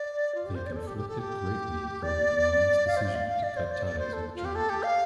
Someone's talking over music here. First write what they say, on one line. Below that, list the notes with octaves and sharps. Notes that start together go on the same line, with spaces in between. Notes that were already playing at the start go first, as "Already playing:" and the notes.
They conflicted greatly over Duan's decision to cut ties with Germany.
Already playing: D5
F4
G4
C5
D5
G4
A4
G4
G4
A4
G4
D5
F5
C5
D5
F5
F5
D5
C5
D5
D5
C5
A4
F4
G4
A4
G4
F5